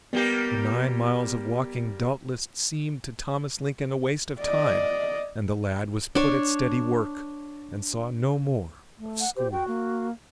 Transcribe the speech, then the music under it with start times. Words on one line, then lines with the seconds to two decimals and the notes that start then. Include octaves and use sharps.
The nine miles of walking doubtless seemed to Thomas Lincoln a waste of time, and the lad was put at steady work and saw no more of school.
0.13 G3 A#3 B3 G4
4.40 D5 D#5
6.15 D4 C#5
8.99 A3
9.20 F#5
9.36 G4 C5
9.52 F#4 G5
9.68 A#3